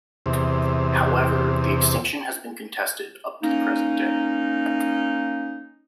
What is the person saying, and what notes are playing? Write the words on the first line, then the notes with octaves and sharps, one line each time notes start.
However, the extinction has been contested up to the present day.
E2 C3
A#3 C#4 D#4